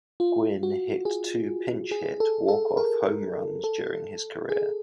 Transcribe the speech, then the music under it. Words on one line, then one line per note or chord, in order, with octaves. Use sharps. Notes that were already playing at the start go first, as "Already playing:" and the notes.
Gwynn hit two pinch-hit walk-off home runs during his career.
F4
F#4
G#4
G#4
A4
A4
A#4
A4
G#4